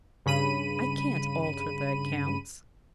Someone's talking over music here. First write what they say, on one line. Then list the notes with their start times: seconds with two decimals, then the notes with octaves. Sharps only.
'I can't alter the accounts.
0.26 G2 C#3 B5 D#7